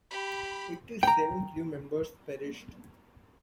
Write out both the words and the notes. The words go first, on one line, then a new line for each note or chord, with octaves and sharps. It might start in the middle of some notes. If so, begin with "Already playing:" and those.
Eighty-seven crewmembers perished.
G4 B5
G5 A#5